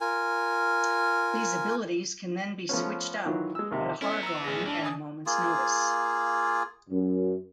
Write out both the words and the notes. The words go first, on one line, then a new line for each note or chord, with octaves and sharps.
These abilities can then be switched out at a Hardline at a moment's notice.
F4 A#4 G#5
F3 A3 B3 C#4
D#3 E3 F#3 F4
G#3 E6
D#2 C3
B3 C#4 E4 A4 E5
A#5 E6
A1 G#4 A#6
E3 D4
G#5 A5 D#6
A#3 F4 G#4
F#2